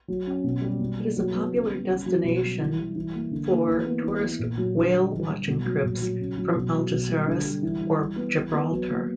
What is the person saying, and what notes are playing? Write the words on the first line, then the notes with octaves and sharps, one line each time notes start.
It is a popular destination for tourist whale-watching trips from Algeciras or Gibraltar.
F#3
C#4
B2
G3
B2
A#3
F#3
B3
C#3
G3
C#3
F#3
B2
G3
E3
G3
E3
A#3
D3
A#3
E3
B3
E3
B3
A#2
F#3
D3
G3
D3
G3
B2
F#3
A#2
F#3
C#3
F#3
B2
F#3
B2
G3
D3
G3
E3
G3
E3
B3
E3
B3
F#3
A#3